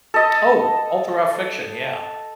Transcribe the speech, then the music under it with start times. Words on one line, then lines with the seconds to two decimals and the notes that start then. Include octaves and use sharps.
Oh, all throughout fiction, yeah.
0.14 A4 D#5